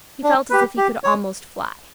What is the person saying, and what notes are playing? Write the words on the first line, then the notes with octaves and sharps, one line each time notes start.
He felt as if he could almost fly.
D4
G4 B4
G4
C#5